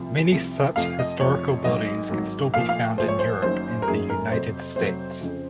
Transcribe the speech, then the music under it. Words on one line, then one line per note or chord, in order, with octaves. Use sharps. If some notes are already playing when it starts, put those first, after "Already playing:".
Many such historical buildings can still be found in Europe and the United States.
Already playing: C2 C3 F3
C2 C3 F3
F2 C3 F3 F5
D#5
F2 C3 F3 C#5
G#1 G#2 D#3 F#3 D#5
G#1 G#2 D#3 F#3
A#1 A#2 F3 F5
F5
A#1 A#2 F3 C5
C#5
C5
F#1 F#2 D#3 F#3 C5
A#4
F#1 F#2 D#3 F#3 G#4
A#4
F2 C3 F#3 C5
F2 C3 F#3 C5
F2 C#3 F3